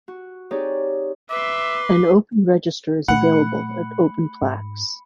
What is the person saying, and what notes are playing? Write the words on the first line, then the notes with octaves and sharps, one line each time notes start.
An open register is available at Open Plaques.
F#4
C4 D#4 G4 G#4 C#5 D5
B4 E5 C6 D6
A#2 A3 F#5 B5 C#7
G#2